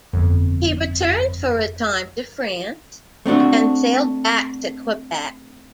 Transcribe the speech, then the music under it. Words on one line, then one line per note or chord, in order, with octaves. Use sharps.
He returned for a time to France, but then sailed back to Quebec.
G1 F2
A3 C4 D4 F#4